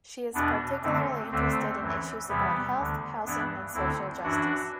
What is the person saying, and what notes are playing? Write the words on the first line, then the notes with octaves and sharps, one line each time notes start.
She is particularly interested in issues about health, housing and social justice.
E2 B2 B3 D4
F#2 D3 A3 C4
D2 D3 A3 C4
F#2 E3
E2 C3 E3 G3 B3
D2 D3
G2 E3 B3 D4
D2 D3 C4 E4
F#2 E3 D4 F#4